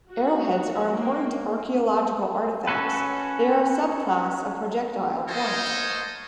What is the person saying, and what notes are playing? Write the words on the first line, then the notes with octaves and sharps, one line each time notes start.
Arrowheads are important archaeological artifacts; they are a subclass of projectile points.
F#4
A#3
C#4 F#4 A4 B4
A4 A#4 C5 C#5 D#5